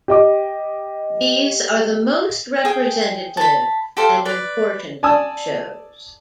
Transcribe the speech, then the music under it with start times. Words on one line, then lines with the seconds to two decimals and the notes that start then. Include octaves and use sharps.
These are the most representative and important shows.
0.08 G4 D#5 D6
2.65 G#4 G5
3.37 A5 B5
3.97 G4 A4 C5 F5
4.25 B4 D5
5.03 D5 G#5 A5 D#6 E6